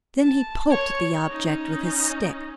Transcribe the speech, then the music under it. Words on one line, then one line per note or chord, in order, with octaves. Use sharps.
Then he poked the object with his stick.
A5
C#5
C#4 D#4